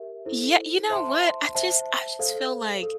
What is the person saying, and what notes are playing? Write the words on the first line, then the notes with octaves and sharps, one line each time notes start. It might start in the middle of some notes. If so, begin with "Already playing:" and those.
Yeah you know what, I just I just feel like,
Already playing: G4 A#4 E5
E4 A4 C5
C5 E5 A5 C6
C5 E5 A5
A4 C5 F5
A4